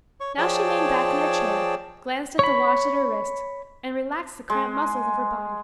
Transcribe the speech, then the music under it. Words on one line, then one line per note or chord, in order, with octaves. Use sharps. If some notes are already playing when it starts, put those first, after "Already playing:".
Now she leaned back in her chair, glanced at the watch at her wrist, and relaxed the cramped muscles of her body.
C#5 C#6
F3 G#4 C#5 D5 G5 A5
C#5 B5
G#3